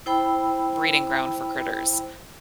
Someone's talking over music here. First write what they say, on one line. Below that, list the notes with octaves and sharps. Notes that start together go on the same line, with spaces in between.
breeding ground for critters.
E4 C5 G5 B5 E6